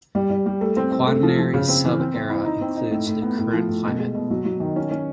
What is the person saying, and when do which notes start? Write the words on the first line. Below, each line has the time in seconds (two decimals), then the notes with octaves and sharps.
The Quaternary sub-era includes the current climate.
0.15 G3
0.30 G3
0.46 G3
0.61 A3
0.77 C4
0.92 C4
1.07 A3
1.23 F3
1.38 F3
1.54 C#3
1.68 C4
1.84 E3
1.99 C4
2.14 C4
2.30 E4
2.45 D#4
2.61 C4
2.77 D#4
2.91 A2
3.07 A2
3.22 B3
3.38 A2
3.53 F3
3.68 A2
3.84 B2
3.99 G#3
4.15 B2
4.30 F#3
4.45 F#3
4.60 D#3
4.76 C#4
4.91 C#4